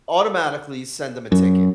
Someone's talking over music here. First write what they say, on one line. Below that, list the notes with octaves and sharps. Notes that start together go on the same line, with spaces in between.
automatically send them a ticket."
F#2